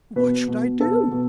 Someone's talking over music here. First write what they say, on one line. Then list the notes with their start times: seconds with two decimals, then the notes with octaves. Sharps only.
What should I do?
0.16 B2 B4
0.48 B2
0.80 B2 A4
1.12 B2